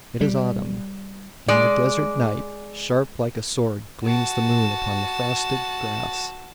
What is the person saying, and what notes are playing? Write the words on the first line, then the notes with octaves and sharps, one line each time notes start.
It is autumn; in the desert night, sharp like a sword gleams the moon upon the frosted grass.
G3
G#3 D5
F#4 A5